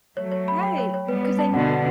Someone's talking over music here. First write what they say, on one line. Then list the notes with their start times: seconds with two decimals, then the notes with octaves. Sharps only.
Right, 'cause then
0.17 F#3 A3 C#5
0.32 C#5
0.48 B5
0.63 G5
0.78 C#5
0.94 C#5
1.08 G3 B3 B4
1.24 B4
1.38 A5
1.54 B2 D3 F#5
1.70 B4